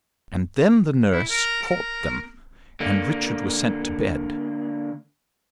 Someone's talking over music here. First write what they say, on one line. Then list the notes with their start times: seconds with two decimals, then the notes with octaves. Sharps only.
And then the nurse caught them and Richard was sent to bed.
1.11 E4
1.30 A#4
1.63 A#4
2.80 D3 A#3